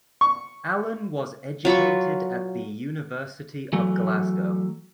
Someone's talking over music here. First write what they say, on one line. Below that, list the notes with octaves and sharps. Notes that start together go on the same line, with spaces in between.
Allen was educated at the University of Glasgow.
C#6
F#3 F4 B5 C#6
E3 F#3 A3